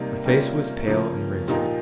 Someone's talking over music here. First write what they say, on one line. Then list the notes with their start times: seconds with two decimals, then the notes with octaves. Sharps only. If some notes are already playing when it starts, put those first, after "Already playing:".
Her face was pale and rigid.
Already playing: C3 G3 A#3 D#4
0.26 C3 G3 A#3 C#4 F4
0.87 C#3 F3 A#3 C#4
1.48 A#2 F3 A#3 D#4 G4